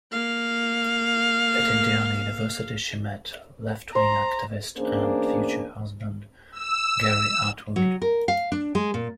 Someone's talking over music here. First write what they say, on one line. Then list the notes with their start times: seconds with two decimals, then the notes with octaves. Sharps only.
At Indiana University she met leftwing activist and future husband Gary Atwood.
0.12 A#3 F5
3.95 C5 A#5
4.78 E2 A#3 C#4 D4 G#4 C5
6.52 E6
7.76 F#3
8.02 A#4
8.28 F5
8.52 D4
8.75 G#3
8.94 A#2